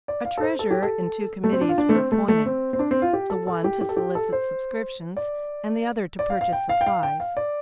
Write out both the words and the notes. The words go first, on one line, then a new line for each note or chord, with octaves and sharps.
A treasurer and two committees were appointed; the one to solicit subscriptions, and the other to purchase supplies.
D5
F5
A4
C5
A4
G4
A4
A3
C4
D4
F4
D4
A3
C4
A3
A3
C4
C4
D4
C4
F4
G4
A4
A4
G4
G4
A4
G4
A4
C5
D5
D5
F5
F5
G5
F5
G5
F5
G5
F5
D5